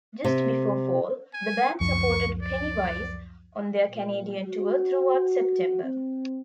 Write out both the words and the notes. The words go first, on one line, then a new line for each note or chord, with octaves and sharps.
Just before fall, the band supported Pennywise on their Canadian tour throughout September.
C3
G#5
C#2 F#2 F3 C#6
D5
A#2
F#4
C4